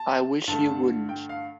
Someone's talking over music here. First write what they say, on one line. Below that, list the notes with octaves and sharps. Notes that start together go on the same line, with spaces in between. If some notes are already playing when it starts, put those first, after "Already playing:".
I wish you wouldn't.
Already playing: A5
G2 D3 A3 A5
G5
F5